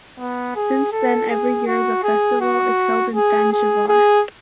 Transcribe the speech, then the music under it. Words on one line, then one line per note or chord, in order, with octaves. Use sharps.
Since then every year the festival is held in Thanjavur.
B3
G#4
A4
G#4
F#4
G#4
F#4
G#4
G#4
G#4